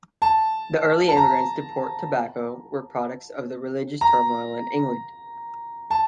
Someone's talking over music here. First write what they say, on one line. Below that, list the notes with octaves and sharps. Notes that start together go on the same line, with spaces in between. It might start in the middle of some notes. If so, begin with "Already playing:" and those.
The early immigrants to Port Tobacco were products of the religious turmoil in England.
A5
A5
A#5
A#5
A5